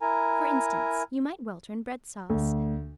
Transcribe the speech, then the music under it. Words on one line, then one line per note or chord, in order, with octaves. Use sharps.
For instance, you might welter in bread-sauce.
E4 A#4 G#5 A#5
D2